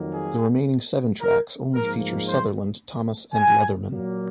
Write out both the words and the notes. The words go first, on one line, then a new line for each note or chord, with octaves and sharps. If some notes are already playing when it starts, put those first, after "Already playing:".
The remaining seven tracks only feature Sutherland, Thomas, and Leatherman.
Already playing: F2 D#3 F#3 A#3
G#4
A#4
G#2 F3 A#3 A#4
C5
G#5
A#2 F#3 A#3